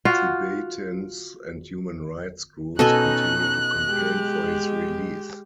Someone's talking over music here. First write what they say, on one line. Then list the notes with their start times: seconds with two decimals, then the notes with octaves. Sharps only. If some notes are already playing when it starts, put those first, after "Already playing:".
Tibetans and human rights groups continue to campaign for his release.
0.05 F4 F#4
2.79 B2 C#4 D#4 A4 D#5 G#5 F#6
3.88 G#3 G4